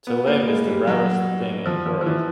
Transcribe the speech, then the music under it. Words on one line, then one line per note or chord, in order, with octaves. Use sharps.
To live is the rarest thing in the world.
B3
A#3
G#3
G3
F#3
F3
F3
F3
E3